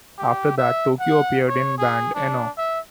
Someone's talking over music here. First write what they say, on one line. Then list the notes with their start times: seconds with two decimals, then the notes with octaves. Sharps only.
After that Toko appeared in the band Enon.
0.18 G4
0.58 E5
1.00 F#5
1.49 C#5
1.78 G#4
2.15 D4
2.58 E5